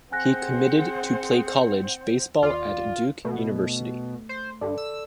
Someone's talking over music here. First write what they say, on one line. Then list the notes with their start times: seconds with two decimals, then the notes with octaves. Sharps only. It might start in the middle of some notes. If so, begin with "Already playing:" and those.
He committed to play college baseball at Duke University.
0.12 C4 G#4 C5 F#5 G#5 F#6 A#6
2.43 D#2 F4 D5
3.25 B2 A3
4.29 C5
4.62 G2 A4 D5
4.78 E6